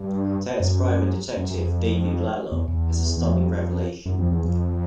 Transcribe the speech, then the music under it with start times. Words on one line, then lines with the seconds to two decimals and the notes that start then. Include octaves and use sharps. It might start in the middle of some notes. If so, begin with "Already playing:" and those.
Ted's private detective Davey Blalock has a stunning revelation.
Already playing: G2
0.60 F#2
1.37 F#2
1.51 F#2
1.56 F2
2.52 E2
2.68 E2
3.17 E2
3.29 F2
4.06 F#2
4.19 F2
4.31 E2
4.44 F2